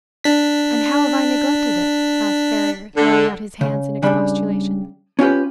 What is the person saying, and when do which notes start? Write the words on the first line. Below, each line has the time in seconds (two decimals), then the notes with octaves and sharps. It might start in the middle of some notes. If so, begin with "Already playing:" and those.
"And how have I neglected it?" asked Ferrier, throwing out his hands in expostulation.
0.24 D4 B6
2.96 D3
3.61 C#3
4.02 C#3 G3 D4 B5
5.19 C#4 F4 G4 B4